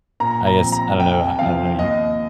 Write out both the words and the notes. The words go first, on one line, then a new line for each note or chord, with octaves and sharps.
I guess, I don't know I I don't know, you
A#2 A#5
A#5
F3 C4
A#5
C2 G5
C3 F3 C4 F5
D#2 D#5